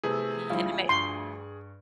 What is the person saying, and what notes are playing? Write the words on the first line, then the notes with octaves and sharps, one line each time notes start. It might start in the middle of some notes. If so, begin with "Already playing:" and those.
Mhm, and it may
C3 A3 B3 E4 G#4
D2 F3 G3 E4 F4
G2 C6 C#6